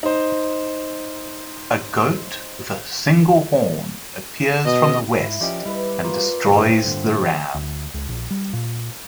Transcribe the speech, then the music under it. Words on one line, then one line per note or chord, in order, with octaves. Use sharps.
A goat with a single horn appears from the west and destroys the ram.
D#4 C5
B2 D#5
G#2 E4 E5
F3 C#4 G4 D5 D#5
G3 E4 B4
A#3 F4 B4
G2 A#2 D3 C4 A4 F5
G2 D3
D2
C#2
A#1
G3
A#2